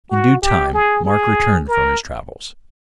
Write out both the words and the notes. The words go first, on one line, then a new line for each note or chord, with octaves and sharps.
In due time, Mark returned from his travels.
F#4
G4
G#4
G#4
A#4